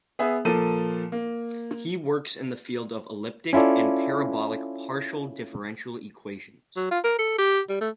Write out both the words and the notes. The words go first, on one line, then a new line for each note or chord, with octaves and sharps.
He works in the field of elliptic and parabolic partial differential equations.
B3 G#4 E5
A#2 F3 A4 A#4 D#7
A#3
C#4 E4 F4 A4 D5
F#3
F4
A#4
A4
G4
G3
A3